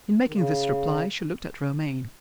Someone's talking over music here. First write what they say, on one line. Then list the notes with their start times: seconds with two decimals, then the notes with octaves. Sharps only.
In making this reply, she looked at Romayne.
0.28 D#3
0.33 C#3